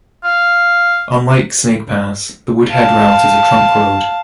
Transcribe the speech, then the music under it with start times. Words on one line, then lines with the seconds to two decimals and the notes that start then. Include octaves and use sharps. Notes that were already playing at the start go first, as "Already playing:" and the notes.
Unlike Snake Pass, the Woodhead route is a trunk road.
0.24 F5
2.70 F5 A5